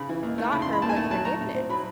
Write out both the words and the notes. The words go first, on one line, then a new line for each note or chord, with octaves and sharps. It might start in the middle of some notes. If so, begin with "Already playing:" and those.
got her was forgiveness.
Already playing: C#3 B5
E3
D#2
A3
C#3 B5
C6
E3
B5
D#2 A5
G#5
A3 A5
F#3 A5
A3 A#5
A2
C4
F#3 B5